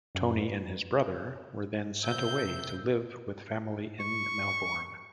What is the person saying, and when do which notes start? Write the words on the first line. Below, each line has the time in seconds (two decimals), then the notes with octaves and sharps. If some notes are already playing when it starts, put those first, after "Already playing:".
Tony and his brother were then sent away to live with family in Melbourne.
0.15 F#2
0.41 B4
2.04 C3 A#3 E5 G6
4.00 C#6